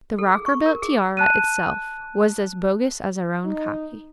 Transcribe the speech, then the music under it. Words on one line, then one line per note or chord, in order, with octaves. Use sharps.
The Rockerbilt tiara itself was as bogus as our own copy.
A4
G#4
C#6
A#4
G#4
A5 F#6 D#7
D#4